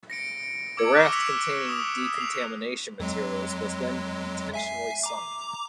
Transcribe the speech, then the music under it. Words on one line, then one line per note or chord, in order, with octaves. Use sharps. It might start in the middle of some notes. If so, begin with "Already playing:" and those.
The raft containing decontamination materials was then intentionally sunk.
A#6 C#7 D7
D6 E6 G#6 C#7 D7
C#6 D6 F6 F#6 A#6 E7
E6 A#6 B6 C#7 D7 F7
D6 D#6 E7
C7 F7
F2 F#3 G#3
E5 G#5 C7
A#5 D6